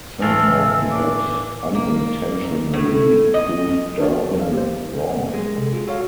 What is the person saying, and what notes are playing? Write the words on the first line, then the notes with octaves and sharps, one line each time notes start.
Somehow he had unintentionally proved Darwin wrong.
A2 E3 F3 A5 E6 F6
D4 D6
A#3
A2
D#5
D4 F#4 A#4 C#5 D5
A4 F5
G4 C5
G#3
C3 A4
F4 F#4 G#4
F#4 A4 C#5 F5